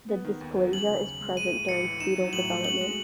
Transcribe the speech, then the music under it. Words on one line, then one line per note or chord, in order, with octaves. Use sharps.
The dysplasia is present during fetal development.
B3
D#3
D#2
F#3
C#4 F#7
C#3
D#2
G#3
G#3 D#7
A2
A1 C#7
E3
D#4 E7
F#3
A2 F#7
A3
F#4 F#7
G#3